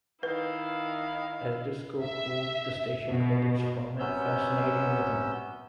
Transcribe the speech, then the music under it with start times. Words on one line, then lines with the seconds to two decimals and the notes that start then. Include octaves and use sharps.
As disco cooled, the station called its format Fascinatin' Rhythm.
0.23 D#3 E4 B4 F5
2.02 E5
3.09 B2
4.00 C3 F#3 B3 C#4 E6 G6